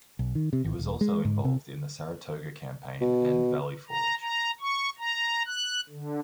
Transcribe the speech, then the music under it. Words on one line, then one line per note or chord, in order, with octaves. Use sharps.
He was also involved in the Saratoga campaign and Valley Forge.
B1
D#3
C3
G#1
E1
G#3
G#2
C3
B2
A#5
A#5
C#6
A#5
F#6
D3